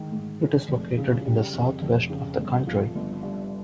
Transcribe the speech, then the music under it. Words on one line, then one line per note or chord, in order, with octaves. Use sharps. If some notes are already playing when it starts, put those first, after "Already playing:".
It is located in the southwest of the country.
Already playing: G#2 D#3
G#2
G#3
F1
C#3
G3
F2
F1
C#3
G1
F3
G1
G2